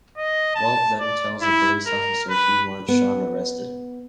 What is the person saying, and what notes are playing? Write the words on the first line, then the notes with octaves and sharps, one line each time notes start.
Walt then tells a police officer he wants Sean arrested.
D#5
A5
D5
E4
A#4
B4
B3